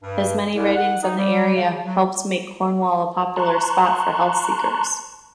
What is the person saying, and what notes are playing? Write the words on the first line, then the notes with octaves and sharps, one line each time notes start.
His many writings on the area helped make Cornwall a popular spot for health-seekers.
G2
C2
F#5
D#4
G3
C#3
F#3
A5 A#5 C6 C#6 F#6